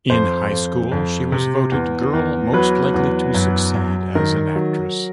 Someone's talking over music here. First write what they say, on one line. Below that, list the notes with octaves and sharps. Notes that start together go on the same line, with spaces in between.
In high school she was voted Girl Most Likely to Succeed as an Actress.
F2 C5
F2
F2
C3
E2
E2
F#3 B4
E2
F#2
F#2
D#3 A#4
F#3